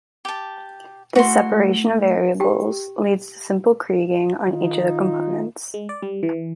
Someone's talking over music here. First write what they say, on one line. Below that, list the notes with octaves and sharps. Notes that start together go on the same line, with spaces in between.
This separation of variables leads to simple kriging on each of the components.
G4 A5
A3 E4 F#4 C6
G4 G5
D#3 D#4 F4
G#3
D5
G3
E3